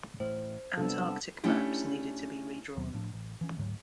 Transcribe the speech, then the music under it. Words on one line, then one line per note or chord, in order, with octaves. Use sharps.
Antarctic maps needed to be redrawn.
A1 A2 C5
C3 G3 B3 D4 A4
A3 C#4 D4 E4 G4
D#2 B2 F#3 B3
A2 F3 D4
A1
E3 F3 C#4
D2 G#2 F#3